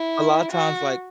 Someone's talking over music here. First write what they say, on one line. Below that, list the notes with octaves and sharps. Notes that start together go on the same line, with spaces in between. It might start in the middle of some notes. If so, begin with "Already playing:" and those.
a lotta times, like,
Already playing: E4
F#4